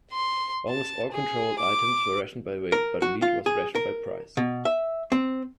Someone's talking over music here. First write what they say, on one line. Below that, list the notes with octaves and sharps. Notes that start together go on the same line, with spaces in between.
Almost all controlled items were rationed by weight but meat was rationed by price.
C6
A5
G#4
D6
A#4
F#4
F4
G#4
A#4
B2
E5
C4